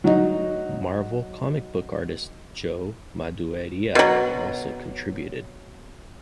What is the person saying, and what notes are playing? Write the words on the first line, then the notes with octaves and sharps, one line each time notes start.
Marvel comic book artist Joe Madureira also contributed.
F#3 D#4
B2 F#3